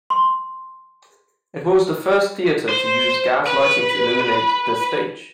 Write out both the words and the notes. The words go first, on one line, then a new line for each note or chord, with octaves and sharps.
It was the first theatre to use gas lighting to illuminate the stage.
C6
C5
B4